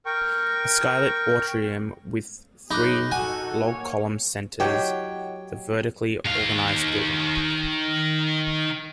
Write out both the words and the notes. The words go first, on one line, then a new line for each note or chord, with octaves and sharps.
A skylit atrium with three log columns centers the vertically organized building.
A#4 G5 C#6
F#3 D#4 G#4 B5 D6 F#6
D#4 F#4 A4 F#5 G#5
A#3 C#5
F#3 E4 G4 C#5 D#5 F#5 G5
D#3 F5